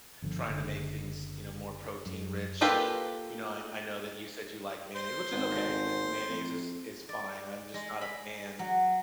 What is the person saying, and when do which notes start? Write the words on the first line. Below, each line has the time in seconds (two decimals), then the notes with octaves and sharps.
trying to make things, you know, more protein-rich, and, you know and I know that you said you like mayonnaise, which is okay, n mayonnaise is is fine, I'm just not a fan
0.22 G1 D3 F3
0.49 F#1 D3
2.06 F#2
2.61 A#3 F4 G4 A4 B4
4.96 C5
5.32 G#1
6.30 F2
7.09 D5
7.74 G#3
8.01 B5
8.59 F#3